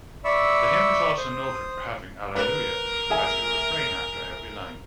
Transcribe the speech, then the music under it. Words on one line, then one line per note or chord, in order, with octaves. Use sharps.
The hymn is also noted for having Alleluia as a refrain after every line.
D5 E5 B5 C#6 E6
C5 D#6
A#4 B4
G#4 E5 G#5